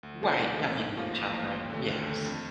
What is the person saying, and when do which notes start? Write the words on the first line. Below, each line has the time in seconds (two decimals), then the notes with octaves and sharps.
Right, yelling at each other, yes.
0.03 D2
0.22 D3 F3 A#3 D#4
0.40 D2
0.58 D3 F3 A#3 D#4
0.77 A1
0.95 A2 F3 A#3 F4
1.14 A1
1.32 A2 F3 A#3 F4
1.51 D#2
1.70 D3 A3
1.88 D#2
2.07 D3 A3
2.25 F2